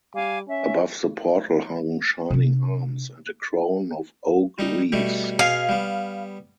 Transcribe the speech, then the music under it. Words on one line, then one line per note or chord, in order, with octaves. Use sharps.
Above the portal hung shining arms and a crown of oak leaves.
G3 F5 G#5 D6
C#4 E5
C3 D4
G3 D#4
B2 G3 A3
B2 G#4 F5 G#5
G3 B3